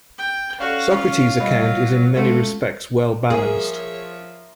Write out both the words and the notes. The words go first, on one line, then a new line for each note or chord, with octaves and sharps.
Socrates' account is in many respects well-balanced.
G5
C#4 F#4 A4 D5 F5
C#4 F4
F#3 G3 D#5 B5
G#3 A3 C#4
F3 A#3 G#4 C#5 E5